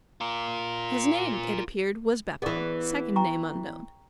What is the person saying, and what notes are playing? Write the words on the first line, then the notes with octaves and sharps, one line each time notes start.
His name, it appeared, was Beppo, second name unknown.
F4 A#4
E3 B3 G#4 D5 C#6
G5 A#5 C#6